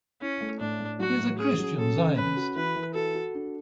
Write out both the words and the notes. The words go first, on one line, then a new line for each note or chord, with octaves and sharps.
He is a Christian Zionist.
C#4 E4
A3
A2 D4
A2
F#3 F#4
A2
C#4 G#4
F#3
C#4 A4
C#3
C#4 B4
F#4
E3 B4
E3
F#4 A4
F#4
D4